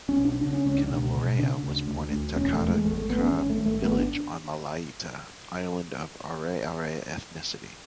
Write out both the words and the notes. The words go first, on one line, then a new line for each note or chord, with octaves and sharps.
Kenilorea was born in Takataka village on Malaita island, of 'Are'are ethnicity.
C#4
B1
D4
C#3 D4
C#4
C#2 C#4
D4
B2
B2
C#3 D4
D2
D2
D2
E1 C#4
A3
E2
G#3
G#1 A3
A3
G#1 B3
C#4
G#1 C#4
A3
G#1
A3
G#1 B3
D4